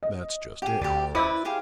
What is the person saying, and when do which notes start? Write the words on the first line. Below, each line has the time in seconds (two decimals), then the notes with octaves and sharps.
"That's just it."
0.03 D#5
0.62 G4 G#4 F#5
0.81 D2 G4 D5
1.15 E4 B4 C5 D5 E5 D#6 G6
1.45 G4 G#4 F5